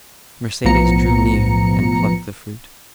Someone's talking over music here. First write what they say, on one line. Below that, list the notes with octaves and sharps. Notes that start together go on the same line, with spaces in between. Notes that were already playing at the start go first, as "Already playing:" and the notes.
Mercedes drew near, and plucked the fruit.
B1 A2 F3 B3 A#5 C#7